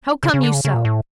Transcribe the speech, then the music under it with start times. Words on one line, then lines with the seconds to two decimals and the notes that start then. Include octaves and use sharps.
How come you so?
0.24 C#3
0.34 C#3
0.44 D3
0.54 C#3
0.65 C#3
0.74 A#2
0.85 A2